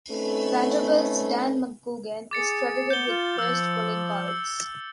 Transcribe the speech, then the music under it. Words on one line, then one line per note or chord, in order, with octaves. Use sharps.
Vanderbilt's Dan McGugin is credited with first pulling guards.
A3 C4 C#4 D#4 A4 B4
G#4 D6 A6 C#7
B3 G6 G7
F4
F3 E6 A6
E6